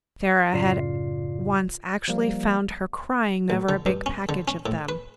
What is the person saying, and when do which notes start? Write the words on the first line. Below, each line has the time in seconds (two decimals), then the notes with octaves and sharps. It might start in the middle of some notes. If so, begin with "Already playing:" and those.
Sara had once actually found her crying over a big package of them.
0.53 F#2 A2 C#3 F4 D5 C7
2.08 F3 G3 A#3
3.50 A1
3.69 D3
3.86 G2
4.06 C#4
4.29 D3
4.48 C#4
4.66 A2
4.89 B4